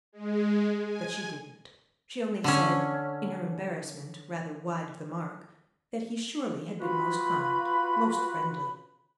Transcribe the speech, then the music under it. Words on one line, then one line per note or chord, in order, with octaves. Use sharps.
But she didn't; she only said--in her embarrassment rather wide of the mark--that he surely had been most kind, most friendly.
G#3
G#5
D3 C#4
F4 F#4 B4 B5